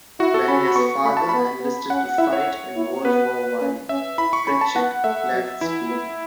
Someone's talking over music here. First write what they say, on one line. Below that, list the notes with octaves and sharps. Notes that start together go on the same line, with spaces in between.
When his father enlisted to fight in World War One, Pritchett left school.
E4 F#4
A4
C#4 B5
B5
B3 C#6
A3 B5
A5
B3 B5
B3
C#4 F#5
E4 E5
C#5
E4
B3 B4
C#4
C#4 E5
E4 B5
C#6
C#4 B5
A5
B3 F#5
A3 E5
F#3
E3 E4
B3